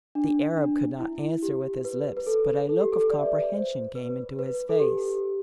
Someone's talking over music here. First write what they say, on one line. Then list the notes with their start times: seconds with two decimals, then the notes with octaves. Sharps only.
The Arab could not answer with his lips, but a look of comprehension came into his face.
0.15 D4
0.57 D4
0.99 E4
1.43 G4
1.85 B4
2.17 B4
2.27 A4
2.69 A4
2.81 G4
2.92 A4
3.11 D5
3.18 E5
3.26 B4 D5
3.54 C5
3.95 B4
4.39 B4
4.69 A4
4.80 G4